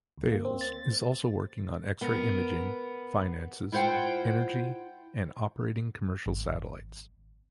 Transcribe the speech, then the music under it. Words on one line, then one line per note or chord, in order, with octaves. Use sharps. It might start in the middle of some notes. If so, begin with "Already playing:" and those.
Thales is also working on X-ray imaging, finances, energy and operating commercial satellites.
D2
A#3
C4
A6
B3 A#4
E4 F4 C5 F#5 G5
G#1